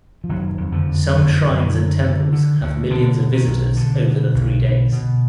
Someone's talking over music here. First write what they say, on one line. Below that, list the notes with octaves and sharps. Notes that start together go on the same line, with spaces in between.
Some shrines and temples have millions of visitors over the three days.
F3
F#1 D#3 F#3
F2
D3 F3
D3
F#3
F#1 D3 F3
F#2
D#3
D3
D3
D3
D2
B2 D3
B2
D#3
B1
B2 D3
B2
B1
B2
B2